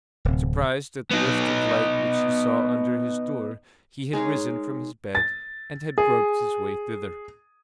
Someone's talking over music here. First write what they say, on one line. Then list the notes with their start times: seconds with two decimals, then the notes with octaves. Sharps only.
Surprised at the rift of light which he saw under his door, he had risen from his bed, and had groped his way thither.
0.25 D1 C3
1.11 B3 D#4
4.13 G#3 D#4 A#4 C#5
5.15 A6
5.98 G#4